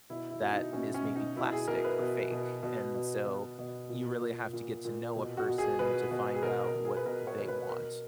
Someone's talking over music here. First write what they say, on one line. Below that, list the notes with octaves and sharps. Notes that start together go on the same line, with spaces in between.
that mis maybe plastic or fake, and so, you really have to get to know a person to find out what they want.
B2 E4
E4
B2
D#4
B2 C#4
C#4
B2
D#4
B2 E4
G#4
B2 A#4
B4
B2
B2
B2
B2
B2
B2
A#2
A#2
A#2
A#2
B2
F#4
B2
G#4
B2 B4
B2
G#4
B2 A#4
A#4
B2
G#4
B4
B2 A#4
C#5
B2
B4
B2 A#4